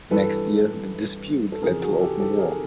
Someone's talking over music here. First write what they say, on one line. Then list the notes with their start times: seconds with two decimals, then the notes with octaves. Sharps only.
Next year the dispute led to open war.
0.11 G2 E3 A4 B4
1.52 A4
1.62 F2 C#3 E3 G#4 A#4
1.82 F#4 G#4
2.01 G4 A4
2.20 G4 A4
2.39 G#4 A#4